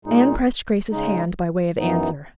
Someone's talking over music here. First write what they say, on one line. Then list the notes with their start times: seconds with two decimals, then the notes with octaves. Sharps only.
Anne pressed Grace's hand by way of answer.
0.05 A#2 G#3 D#4
0.92 C#3 G#3 D#4
1.79 F#2 E3 B3 D#4